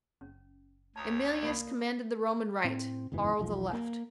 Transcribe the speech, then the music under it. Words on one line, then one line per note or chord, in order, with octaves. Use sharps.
Emilius commanded the Roman right, Varro the left.
F#1 C#4
D2 C#5 A5 A#5 D#6
C2 A#3 D5 B5 D#6
A2 C4
F#1 E2 G#2 E3
E1 B1 F3
A#3